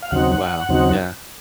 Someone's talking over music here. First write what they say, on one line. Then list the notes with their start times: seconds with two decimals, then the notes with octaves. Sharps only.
Wow, yeah.
0.02 F5
0.11 D#2 C#3 F#3 C4 D#4 F#5
0.69 D#2 C#3 F#3 C4 D#4